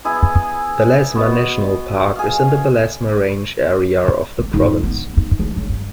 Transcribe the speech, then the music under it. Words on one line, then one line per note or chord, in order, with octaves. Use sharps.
Belezma National Park is in the Belezma Range area of the province.
B3 E4 G#4
B3 F#4 D#5
G#4 F5
C4
G#2
B3
D#4
D4
F#3
G2